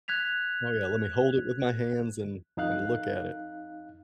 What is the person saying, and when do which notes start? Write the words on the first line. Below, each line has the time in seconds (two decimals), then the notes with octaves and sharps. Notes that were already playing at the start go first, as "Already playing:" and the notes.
Oh, yeah, "Let me hold it with my hands and and look at it."
0.08 F#6 G#6 B6 F7
2.57 F2 D#4 F5 F#6